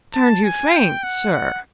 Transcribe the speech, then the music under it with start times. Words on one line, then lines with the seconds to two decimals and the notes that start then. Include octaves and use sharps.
'Turned you faint, sir!
0.14 A5
0.44 G#5
0.74 G5
1.03 F#5
1.33 F#5